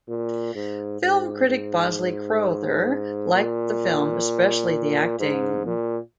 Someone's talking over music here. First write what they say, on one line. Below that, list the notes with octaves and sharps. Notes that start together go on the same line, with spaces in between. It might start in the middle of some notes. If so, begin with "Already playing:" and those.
Film critic Bosley Crowther liked the film, especially the acting.
A#2
G#2
G#2
G#2
A#2
G#2
A#2